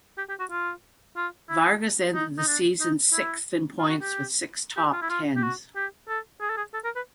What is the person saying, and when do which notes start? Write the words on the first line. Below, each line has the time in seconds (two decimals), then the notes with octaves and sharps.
Vargas ended the season sixth in points with six top tens.
0.18 G4
0.29 G4
0.40 F#4
0.51 F4
1.17 F4
1.50 E4
2.14 D#4
2.38 D#4
2.48 D4
2.80 D#4
3.13 E4
3.79 F4
3.89 F#4
4.01 G4
4.77 G4
4.93 F4
5.02 E4
5.10 F4
5.36 G4
5.43 F#4
5.76 G4
6.09 A4
6.41 G#4
6.50 A4
6.57 G#4
6.74 A4
6.85 A#4
6.96 B4